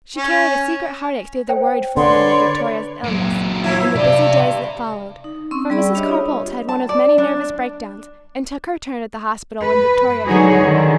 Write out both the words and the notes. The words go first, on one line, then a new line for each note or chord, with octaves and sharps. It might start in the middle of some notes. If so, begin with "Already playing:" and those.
She carried a secret heartache through the worried fortnight of Victoria's illness, and the busy days that followed; for Mrs. Carr-Boldt had one of many nervous break-downs, and took her turn at the hospital when Victoria came home.
C#4
C5 G5
D3 B4 C#5 D5 C6
A#2 F#3
F3 E4
G2 C3 D5 E5
D#4
C4 C#4 C6 C#6 E6
G3 G#4 D5 B5 E6
D4 G4 C#5 D#5 E5 B5
F4 D#6
A5
D5
D4
B4
D3 F#3 D#4 F#4 G#4 C#5
D3 D#3